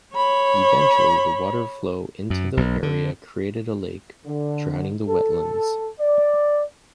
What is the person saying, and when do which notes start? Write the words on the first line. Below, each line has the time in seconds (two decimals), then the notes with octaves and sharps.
Eventually the water flow into the area created a lake, drowning the wetlands.
0.15 C#5 B5
2.30 F#2
2.57 B1
2.83 D3
4.26 D3
5.07 A4
6.00 D5